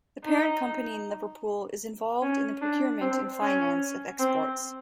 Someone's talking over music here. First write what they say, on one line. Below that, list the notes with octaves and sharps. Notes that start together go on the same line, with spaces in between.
The parent company in Liverpool is involved in the procurement and finance of exports.
D#4
C#4
D4
C4
C#4
C4